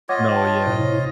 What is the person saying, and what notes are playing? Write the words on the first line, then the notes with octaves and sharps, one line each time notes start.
No. Yeah.
F4 C#5 D#5 F#5 D6 G#6
G5 A5
A2 C3 E4 C5